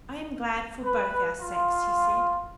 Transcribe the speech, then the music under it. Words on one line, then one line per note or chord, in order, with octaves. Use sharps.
"I am glad for both our sakes," he said.
B4
F4